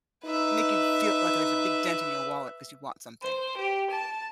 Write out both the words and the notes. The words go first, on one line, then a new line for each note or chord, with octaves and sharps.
make you feel like there's a big dent in your wallet ‘cause you want something,
D#4 B4 E5
C5
G4
A5